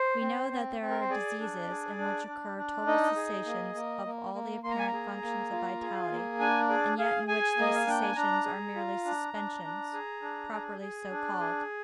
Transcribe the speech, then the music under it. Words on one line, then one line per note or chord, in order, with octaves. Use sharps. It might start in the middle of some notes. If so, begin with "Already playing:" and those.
We know that there are diseases in which occur total cessations of all the apparent functions of vitality, and yet in which these cessations are merely suspensions, properly so called.
Already playing: C5
C4
C4
C4
A#4
C5
G#4 D5
D4
G#4
D4
D4
D4
D#4 D#5
G#4
A#3
A#3
A#3
A#3
A#3 C6
A#5
G#5
A#5
G#4
A#3
F4
G#4
A#3
D4 G#5
G#4 D5
G#4 F5
G#4 G#5
A#3 D#5
F5
D4 G5
G#5
D4 A#5
G#4
F4
D4
D4
D4
G#4
D4
G#4
G#4
D4
G#4